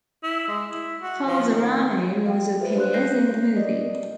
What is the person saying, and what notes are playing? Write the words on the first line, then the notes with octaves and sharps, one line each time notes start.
Falzarano also appears in the movie.
E4
G#3
E4
F#4
F3
D#3
F5 G5
F4 A4 B4 C5 E5
D4 C6 F#6
C#5 G6 A#6 C7
D5 D#5